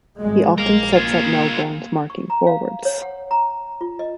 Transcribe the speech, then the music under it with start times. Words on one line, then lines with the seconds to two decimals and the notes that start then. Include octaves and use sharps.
He often sets up Melbourne's marking forwards.
0.20 G#1 G3 G#3
0.58 A#1 G#3 A#4 F5
0.92 A#3 F4 G#4
2.10 C#6
2.30 A#5
2.47 F5
2.85 C#5
3.02 F#5
3.31 A#5
3.81 F4
3.99 D#5